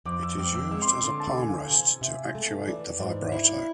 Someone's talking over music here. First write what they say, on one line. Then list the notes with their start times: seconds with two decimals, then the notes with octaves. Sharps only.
It is used as a palm rest to actuate the vibrato.
0.05 F2 D6
0.23 E6
0.38 C4 D6
0.55 E6
0.71 G#3 E6
0.82 C6
0.88 D6
1.03 D3 C6
1.20 A5
1.36 E2 G#5
1.49 F5
1.63 G#5
1.69 C3
2.01 C3 E5
2.35 A3
2.67 E3 D5
3.00 G#2
3.32 E4